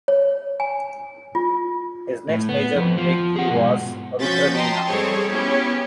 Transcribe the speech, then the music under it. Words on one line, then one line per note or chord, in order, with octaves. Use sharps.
His next major breakthrough was "Rudraveena".
C#5
G#5
F4
A2
B3
F2 F3
F3
G#4 F#5
G#2 B2
F3 C#4 F#4 G6 A6 B6
D#5 G5 A5 A#5 C6
G3 C4 G#4 A4 C#5
B3 C#4 E4 G4